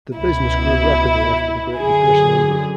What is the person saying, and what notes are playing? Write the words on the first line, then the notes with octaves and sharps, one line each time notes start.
The business grew rapidly after the Great Depression ended.
C#2 B2 E4
F#2 D3 G#4